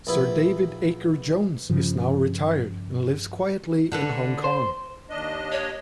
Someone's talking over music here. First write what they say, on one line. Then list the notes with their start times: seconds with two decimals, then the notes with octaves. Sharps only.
Sir David Akers-Jones is now retired and lives quietly in Hong Kong.
0.07 A#1 B3 E4
1.70 G2 C#3 F3
3.92 D3 A4 B4
4.44 C5
5.10 D#2 D4 D#5
5.52 C#5